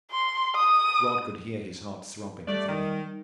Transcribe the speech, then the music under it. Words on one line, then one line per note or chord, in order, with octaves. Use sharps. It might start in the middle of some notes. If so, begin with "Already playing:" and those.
Rod could hear his heart throbbing within him.
C6
D#6
G3 A3 D5
D#3